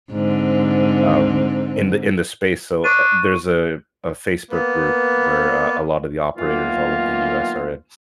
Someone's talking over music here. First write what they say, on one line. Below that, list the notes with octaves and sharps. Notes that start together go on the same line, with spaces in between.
um, in the in the space so, eh, there's a a Facebook group where, uh, a lot of the operators all over the US are in,
G#2 D3 C4
D4 C#6 D#7
A#3 B3 B4
D#3 E3 F#3 A#3 B3 F4